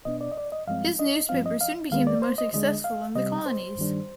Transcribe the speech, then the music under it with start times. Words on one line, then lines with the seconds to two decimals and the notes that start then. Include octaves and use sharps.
His newspaper soon became the most successful in the colonies.
0.05 B2 B3 D4 D#5
0.21 D5
0.32 D#5
0.37 D5
0.52 D#5
0.67 G2 F3 G#3 C4 F5
0.99 D#5
1.29 G2 F3 C4 F5
1.46 D#5
1.61 F5
1.91 D#2 D#3 G#3 B3 F5
2.07 D5
2.22 C5
2.38 D#5
2.53 D2 D3 G#3 D4 D#5
2.84 F5
3.15 C3 G3 C4 D#5
3.46 C5
3.78 G2 D#3 G3 D4